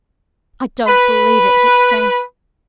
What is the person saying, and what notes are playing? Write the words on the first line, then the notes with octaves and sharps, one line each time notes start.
'I don't believe it,' he exclaimed.
B4 B5